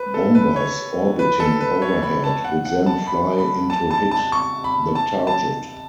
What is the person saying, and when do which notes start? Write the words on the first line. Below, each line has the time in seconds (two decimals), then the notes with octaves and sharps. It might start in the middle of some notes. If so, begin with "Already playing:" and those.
Bombers orbiting overhead would then fly in to hit the target.
Already playing: B4
0.14 A4
0.35 B4
0.56 C#5
1.19 B4
1.40 A4
1.61 B4
1.82 C#5
2.03 B5
2.24 A5
2.45 F#5
2.65 F#5
2.86 A5
3.07 B5
3.38 B5
3.70 A5
3.91 A5
4.11 A5
4.32 C#6
4.64 B5
4.95 A5
5.27 A5